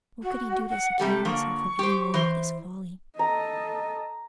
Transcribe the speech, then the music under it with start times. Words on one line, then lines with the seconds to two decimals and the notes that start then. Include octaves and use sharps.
What could he do to secure himself from any more of this folly?
0.23 F#4
0.69 F#5
0.99 C3 G3 A3 G4
1.25 D3 F3 A#3 C#6
1.79 G4 C5
2.14 E3 C5
3.19 A4 D#5 A#5